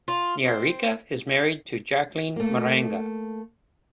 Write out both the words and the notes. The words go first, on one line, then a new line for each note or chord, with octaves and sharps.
Nyariki is married to Jackline Maranga.
F4
C4
A3 A#3